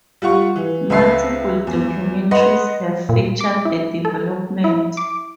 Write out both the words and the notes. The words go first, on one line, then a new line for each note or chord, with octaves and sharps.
Multiple documentaries have featured the development.
G3 F4 F#5 C#6
E3
C#2 B4 E5 C7
E2
B4 D#5 F#5 C6
A#2
D6
E4
A4
E4
D6